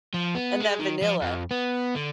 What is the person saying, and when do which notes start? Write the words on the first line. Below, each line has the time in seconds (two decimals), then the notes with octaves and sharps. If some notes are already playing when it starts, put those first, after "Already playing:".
and that vanilla.
0.14 F3
0.35 B3
0.60 G#3
0.80 D#3
1.03 F3
1.22 F2
1.51 B3
1.95 D3